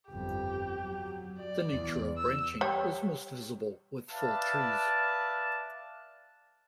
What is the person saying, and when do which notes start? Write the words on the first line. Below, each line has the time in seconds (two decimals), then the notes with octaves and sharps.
The nature of branching is most visible with full trees.
0.10 G1 F2 G4
0.82 F#3
1.39 D5
1.72 E2
2.17 E6
2.61 G3 C#5
4.10 B4 D5 E5 F5 A5